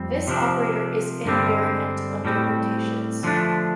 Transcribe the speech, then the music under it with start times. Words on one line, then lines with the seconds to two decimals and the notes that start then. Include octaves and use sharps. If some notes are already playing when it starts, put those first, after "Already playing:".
This operator is invariant under rotations.
Already playing: F2 G3 C4
0.27 C3 F3 D4
1.25 G2 D3 G3 C4
2.25 A2 G3 C4
3.23 D3 F3 A3 D4